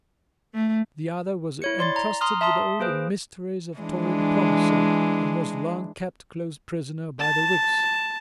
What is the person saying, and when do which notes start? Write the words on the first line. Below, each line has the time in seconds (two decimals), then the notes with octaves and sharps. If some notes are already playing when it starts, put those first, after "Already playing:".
The other was entrusted with all the mysteries of Tory diplomacy, and was long kept close prisoner by the Whigs.
0.54 A3
1.62 E4 C#5 C#7
1.79 D5 C6 A6
1.96 A#5
2.21 A#5 C6 D#6 F6
2.41 E5 A5 C6 D#6
2.80 A#3 G#4 B4 C5
3.78 E3 G#3 D4
7.20 A5